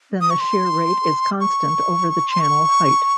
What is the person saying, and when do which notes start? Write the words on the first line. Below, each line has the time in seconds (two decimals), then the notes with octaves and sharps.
Then the shear rate is constant over the channel height.
0.21 D#6
0.31 C#6
0.40 C6
1.40 C#6
2.30 C6
2.41 C#6